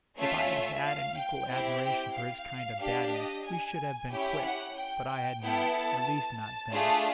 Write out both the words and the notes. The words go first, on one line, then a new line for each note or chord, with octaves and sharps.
If I had had an equal admiration for his kind of batting we should have been quits, but I had not; at least not then.
A3 C#4 F4 E5
F5
G5
C4 E4 G4
G5
F5
D4 G4
D#5
G#5
C#4 E4 G4 G5
F#5
G5
G5
B3 E4 A4 G5
A5
A5
A3 D4 F4 G#4